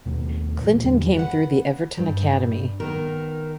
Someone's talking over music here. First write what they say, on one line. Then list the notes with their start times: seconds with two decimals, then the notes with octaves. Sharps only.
Clinton came through the Everton academy.
0.05 D#2 B2 G3 A3
0.61 A#2 E3 F#3 G3
0.83 E2 D3 F#3 G3
1.17 B4 F#5
1.97 G2
2.80 D#3 B3 A#4